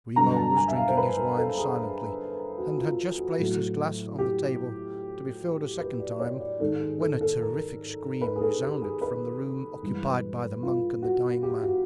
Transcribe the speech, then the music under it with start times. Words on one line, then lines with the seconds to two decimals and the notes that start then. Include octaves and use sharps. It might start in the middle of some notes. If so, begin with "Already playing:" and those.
Grimaud was drinking his wine silently and had just placed his glass on the table to be filled a second time, when a terrific scream resounded from the room occupied by the monk and the dying man.
0.16 G2 D3 F#3 A#5
0.36 A5
0.56 G#5
0.68 E5
0.76 F5
0.88 C5
0.97 B4
1.17 A#4
1.37 A4
1.58 G#4
1.78 G#4
2.58 F#4
2.78 F4
3.18 F#4
3.38 A2 F#3 A3
4.18 G4
5.79 B4
6.00 D5
6.20 C#5
6.40 D5
6.60 G#2 D#3 G#3 A4
6.80 G#4
7.01 A4
7.21 A4
7.40 A#4
8.21 B4
8.36 G#4
8.42 A4
8.62 G4
8.82 G#4
9.01 B4
9.82 G2 E3 G#3
10.63 F4
11.03 F#4
11.43 G4
11.63 F#4